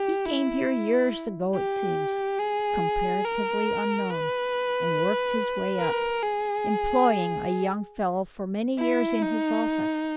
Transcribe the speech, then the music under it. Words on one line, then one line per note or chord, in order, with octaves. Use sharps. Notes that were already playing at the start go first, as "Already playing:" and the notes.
He came here years ago it seems, comparatively unknown, and worked his way up, employing a young fellow for many years in his office.
Already playing: G4
E4
G4
G#4
A#4
B4
A#4
G#4
E4
D#4